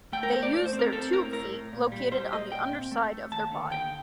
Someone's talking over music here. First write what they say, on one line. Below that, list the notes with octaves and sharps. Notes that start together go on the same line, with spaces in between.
They use their tube feet located on the underside of their body.
A3 G5
A#4
A3 C5
D5
A3
C5
C4
A#4
C4 A4
A2 A#4
A2 A#4
A2
A#2
G3
G3 C5
A#2 D#5
A#2 G5
C4
A3
A3
D#2 A5
D3
D#2 G5